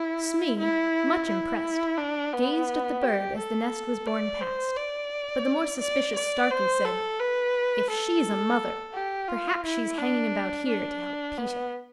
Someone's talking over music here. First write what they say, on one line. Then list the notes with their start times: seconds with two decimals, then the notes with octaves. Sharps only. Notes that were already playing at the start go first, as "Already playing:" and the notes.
Smee, much impressed, gazed at the bird as the nest was borne past, but the more suspicious Starkey said, "If she is a mother, perhaps she is hanging about here to help Peter."
Already playing: E4
0.59 E4
1.29 E4
1.98 D4
2.33 B3
3.03 G4
3.37 A4
4.07 D5
4.41 C5
4.76 D5
5.80 D5
6.16 D5
6.50 C5
6.85 A4
7.20 B4
7.90 A4
8.94 G4
9.28 F4
9.64 E4
9.98 D4
10.68 D4
11.38 B3